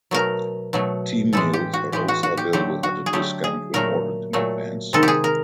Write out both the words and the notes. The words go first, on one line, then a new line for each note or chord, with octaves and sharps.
Team meals are also available at a discount when ordered in advance.
B2 F#3 A3 A#4
B2 F#3 A3
A2 E3 G#3 A4
G4
F#4
A2 E3 G#3 G4
F#4
F#4
G4
D3 F#3 A3 G4
F#4
G#4
D3 F#3 A3 G4
G#4
A#2 F#3 A3 A#4
A#2 F#3 A3
C3 D#3 G#3 A4
G4
G#4
A#4